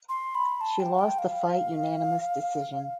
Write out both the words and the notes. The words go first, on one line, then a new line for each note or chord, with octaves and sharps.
She lost the fight unanimous decision.
C6
B5
A5
G5
F5
G5
F5